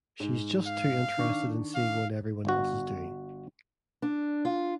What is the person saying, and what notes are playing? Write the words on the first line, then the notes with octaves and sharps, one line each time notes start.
She's just too interested in seeing what everyone else is doing.
G#2
F5
D#3 D4 C#6
F5
G1 F#4
D4
F4